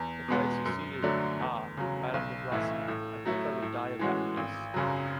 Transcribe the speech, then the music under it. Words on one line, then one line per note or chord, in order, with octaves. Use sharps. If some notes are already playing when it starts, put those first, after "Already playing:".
If I had succeeded Ah! Madame de Blacy, I think I would die of happiness.
Already playing: E2
B2 G#3 B3
F#2
D3 F#3 A3 D4
E2
C#3 F#3
B1
A2 E3 A3 E4
A2
F#3 A3 E4
A2
E3 G#3 C#4 F#4
G#1
F#2 C#3 F#3